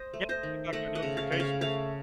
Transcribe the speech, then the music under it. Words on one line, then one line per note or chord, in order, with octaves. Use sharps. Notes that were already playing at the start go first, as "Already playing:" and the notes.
Yeah, with like the notifications.
Already playing: C5 D#5
A3
C5 D#5
D#3
A3 D#5 F#5
D#5 F#5
C#3
C#5 F5
C#3
C#5 F5
A3 C#5 F5